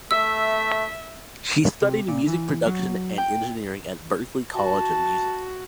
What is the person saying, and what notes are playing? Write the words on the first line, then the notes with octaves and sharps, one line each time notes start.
She studied music production and engineering at Berklee College of Music.
A3 E5 E6 B6
C3
A#2
E3
F#3
G5
F#4 A5